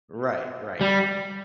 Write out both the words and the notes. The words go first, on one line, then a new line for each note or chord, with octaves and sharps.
Right, right.
G3